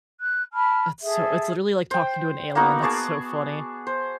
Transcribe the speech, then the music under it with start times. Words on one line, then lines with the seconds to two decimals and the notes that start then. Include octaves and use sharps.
That's so it's literally like talking to an alien. That's so funny.
0.19 F#6
0.53 A5 B5 F6
1.02 G#4 A4 E5
1.91 C5 G5
2.55 A#3 B3 D#4 F#4
2.82 G#4 D5 A5 C#6
3.87 C5